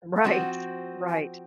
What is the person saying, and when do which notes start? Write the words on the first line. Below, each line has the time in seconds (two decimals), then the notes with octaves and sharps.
Right. Right.
0.17 F5
0.24 F3 C4 F#4 F#5
1.09 G#5